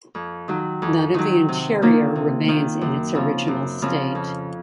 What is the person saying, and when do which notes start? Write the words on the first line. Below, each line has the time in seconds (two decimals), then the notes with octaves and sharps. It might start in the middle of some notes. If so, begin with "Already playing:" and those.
None of the interior remains in its original state.
0.15 F2
0.48 D#3 F#3
0.82 F2
1.14 D#3 F#3
1.48 C3
1.82 D#3 A#3 F4
2.16 C3
2.48 D#3 A#3 F4
2.81 F#2
3.15 C#3 F3 C4 F4
3.48 F#2
3.82 C#3 F3 C4 F4
4.15 F2